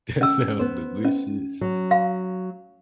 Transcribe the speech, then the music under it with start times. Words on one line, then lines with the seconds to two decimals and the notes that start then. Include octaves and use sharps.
that sounds delicious.
0.21 C#4 E6
0.59 B3 C5
1.05 C#4
1.61 F#3
1.91 F5